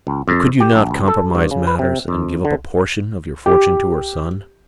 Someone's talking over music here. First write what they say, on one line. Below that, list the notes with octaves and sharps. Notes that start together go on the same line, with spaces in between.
"But could you not compromise matters, and give up a portion of your fortune to her son?"
C#2
F2
G4
A#1
C#2
A4
G2
C#3
B4
C3
F2
D3
G4